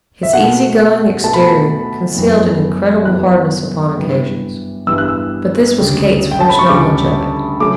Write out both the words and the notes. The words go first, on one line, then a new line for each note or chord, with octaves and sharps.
His easy-going exterior concealed an incredible hardness upon occasions, but this was Kate's first knowledge of it.
E5
B2 A3 F#5
B2 A3 A5
B5
A5
F#2 E3 G3 B3
F#2 E3 G3 B3 F#6
G2 E3 G3 B3
G2 E3 G3 B3 E6
F#6
E6
D2 C#3 G3
G5
A5
B5
C#6
D2 C#3 G3 D6
C#3 F#3 A3 D6